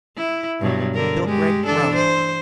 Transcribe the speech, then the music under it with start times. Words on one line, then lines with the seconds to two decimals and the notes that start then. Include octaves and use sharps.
Bill Gregg groaned.
0.17 E4
0.60 G2 B2 F#3
0.94 D3 A#4
1.25 G#3 G4
1.65 E3 D4 A4
1.95 C5